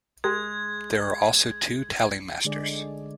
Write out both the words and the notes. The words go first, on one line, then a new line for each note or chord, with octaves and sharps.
There are also two tally masters.
G#3 G4 A#4 G#6
D3 G#3 G#4 D5